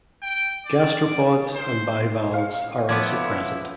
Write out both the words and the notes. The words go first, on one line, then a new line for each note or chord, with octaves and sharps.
Gastropods and bivalves are also present.
G5
D5
C5
F5 C#7
F3 B3 E4 C#5 D6 G#6